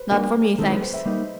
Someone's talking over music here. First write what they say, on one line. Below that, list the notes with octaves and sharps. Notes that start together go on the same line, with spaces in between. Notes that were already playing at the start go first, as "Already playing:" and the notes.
Not for me thanks.
Already playing: B4 C5
G3 A#3 D4 F#4 A#4
D#3 G#3 C4 E4 A4
B4
C5
E5
G3 A#3 D#4 D#5